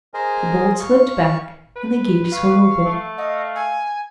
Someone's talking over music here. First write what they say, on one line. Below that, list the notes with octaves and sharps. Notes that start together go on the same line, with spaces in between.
The bolt slipped back and the gate swung open.
G#4 A#4 C5 D#5 G#5
F5 C#6
B4
F5 C#6
A3
D#5 F5
G#5